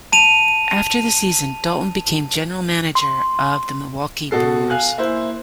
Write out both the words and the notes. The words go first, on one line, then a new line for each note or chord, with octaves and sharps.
After the season, Dalton became general manager of the Milwaukee Brewers.
A5 D#7 F7
C6
B2 F#4 A4 C7
F5 G#5 F#6
A#3 E4 C5